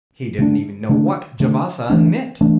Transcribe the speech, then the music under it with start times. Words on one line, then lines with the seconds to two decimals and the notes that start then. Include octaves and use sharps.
He didn't even know what Javasan meant.
0.38 D3 A3 D4
0.89 D3 A3 D4
1.40 D3 A3 D4
1.90 E3 A3 D4
2.41 E3 A3 D4